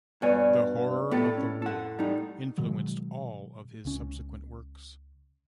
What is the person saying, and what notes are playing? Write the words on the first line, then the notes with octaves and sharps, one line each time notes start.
The horror of the war influenced all of his subsequent works.
G2 B2 C#5 G#5
A2 B3 G4 A4
C#4
A4 F#5
G3 D#4
B2 D#3 F#3 G#3
C#2 C#4